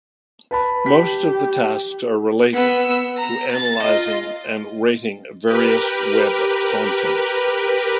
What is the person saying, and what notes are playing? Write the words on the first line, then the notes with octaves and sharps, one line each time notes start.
Most of the tasks are related to analyzing and rating various web content.
B4 A5 B5
G4 B6
B3 E6
A#5
A6
F4 D#5
G4 A#4 B4